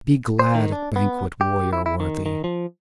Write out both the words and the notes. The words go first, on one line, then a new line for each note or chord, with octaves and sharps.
Be glad at banquet, warrior worthy!
C5
D#3
D4
B3
G4
E4
E4
D#3
D#3
F3